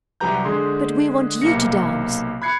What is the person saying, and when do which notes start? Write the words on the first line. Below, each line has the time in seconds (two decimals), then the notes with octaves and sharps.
'But we want you to dance.'
0.20 C2 F#3 G4 B4 A#5 G6
0.45 D3 G#3 G#4 C6
1.42 B1 C3 A#3 A#6 C#7
2.42 B5 F#6 G#6 C7 C#7